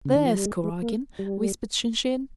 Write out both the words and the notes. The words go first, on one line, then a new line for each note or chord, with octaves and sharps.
"There's Kuragin!" whispered Shinshin.
C#3
D#3
F3
G3
G#3
G#3
A#3
G3